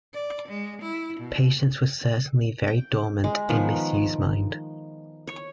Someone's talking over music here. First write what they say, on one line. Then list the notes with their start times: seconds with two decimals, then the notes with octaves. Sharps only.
Patience was certainly very dormant in Miss U.’s mind.
0.14 D5
0.48 G#3
0.82 E4
1.20 B2
2.68 G5
3.24 G#3
3.49 D#3 F3 B3
5.27 C#5